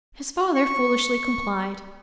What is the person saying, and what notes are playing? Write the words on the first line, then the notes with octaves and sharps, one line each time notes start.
His father foolishly complied.
C#6